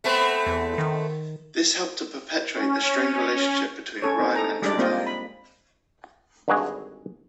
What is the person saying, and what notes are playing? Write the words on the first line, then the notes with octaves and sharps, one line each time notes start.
This helped to perpetuate the strained relationship between Ryan and Trudeau.
A3 B3 C4
E2
D#3
C#4
C#4 A4 C#5
C4 D#4
A4 A#5
G3 G#3 D4 D5
A#3 C4 F4 D#5
B5
G#1 G2 D3 F#4 G#4 D#5